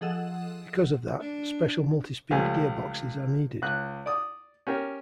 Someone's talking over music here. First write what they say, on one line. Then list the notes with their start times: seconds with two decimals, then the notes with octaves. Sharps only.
Because of that, special multi-speed gearboxes are needed.
0.01 F3 G#4 A4 D#5 F#5 E6
1.21 D4
2.31 C#2 F3 G3 A3 G#5
3.62 C#2 F#6
4.06 D5 D6 D#6
4.67 C#4 G4 A#4